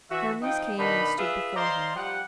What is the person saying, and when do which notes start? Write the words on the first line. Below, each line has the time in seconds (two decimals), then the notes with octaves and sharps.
Hermes came and stood before him.
0.10 E3 F#4 E5
0.42 F3 C4 D#4 G5
0.78 B2 D#3 D4 D#4 B5
1.18 F4 G#4 B4 E5
1.56 C5 D5 D#5 F5 A#5 C6
1.96 F3 G3 G4 F#5